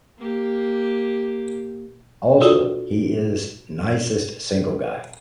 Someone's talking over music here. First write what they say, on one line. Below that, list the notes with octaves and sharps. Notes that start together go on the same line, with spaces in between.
Also he is nicest single guy.
A#3 G4
D4 F4 F#4 A4 D5